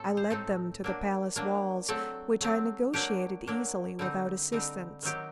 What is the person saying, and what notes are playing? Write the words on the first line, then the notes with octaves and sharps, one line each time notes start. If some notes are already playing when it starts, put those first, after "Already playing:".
I led them to the palace walls, which I negotiated easily without assistance.
Already playing: A2 A3 C4 A4
C5
A2 A3 C4 D#4 A4
F#3 A#3 D4
F#3 A#3 D4
F#3 A3 C4 A4
F#3 A3 C4
F#3 A#3 D4 G4
F#3 A#3 D4
D3 G3 C4 D#4
D3 G3 C4 D#4
D#3 F#3 C4 D#4 G4